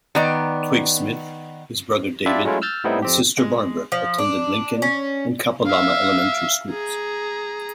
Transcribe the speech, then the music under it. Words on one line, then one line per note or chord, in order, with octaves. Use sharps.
Twigg-Smith, his brother David, and sister Barbara attended Lincoln and Kapalama elementary schools.
D#3 B3 D5 A#5
D4 E4 F4 G4 D5 E5
F#3 G#3 A3 C#4 E4 F4
E6 F6 G6 A6
A2 G3 B3 C4 D#4 E4
F2 C4 G4
G#3
F3
D4
C#4
E5 F5
G#4 A#5